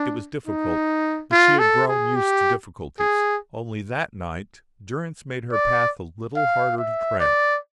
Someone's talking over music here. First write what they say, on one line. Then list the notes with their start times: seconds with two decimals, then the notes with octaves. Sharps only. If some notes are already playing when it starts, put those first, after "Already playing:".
It was difficult, but she had grown used to difficulties. Only that night Durrance made her path a little harder to tread.
Already playing: D4
0.47 D#4
1.32 F4
1.59 A4
1.87 G#4
2.16 G4
3.00 G#4
5.52 D5
6.36 F5
6.78 E5
7.20 D5